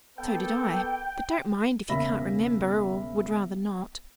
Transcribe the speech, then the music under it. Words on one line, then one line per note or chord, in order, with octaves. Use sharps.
So did I; but don't mind, if you can't remember, or would rather not.'
A#3 B3 A4 G5
E1 C#3 A#3 E5 B5 A#6